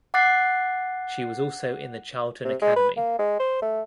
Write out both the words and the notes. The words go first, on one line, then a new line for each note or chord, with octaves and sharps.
She was also in the Charlton academy.
F#5 D6 F#6 A6 C7
C3
G#3
B4
A#3
G#3
C5
A3